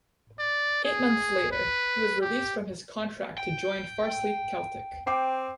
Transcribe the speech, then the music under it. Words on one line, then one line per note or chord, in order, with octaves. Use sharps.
Eight months later, he was released from his contract to join Farsley Celtic.
D5
G#4
B4
G4
G5
C4 G5 D6 C7